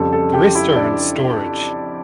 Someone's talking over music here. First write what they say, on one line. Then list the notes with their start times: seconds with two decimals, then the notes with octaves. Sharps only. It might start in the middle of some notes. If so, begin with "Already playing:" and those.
The rest are in storage.
Already playing: F2 C#3 G3 A4 A5
0.13 A4 A5
0.33 G4 G5
0.55 E4 E5
0.76 D4 D5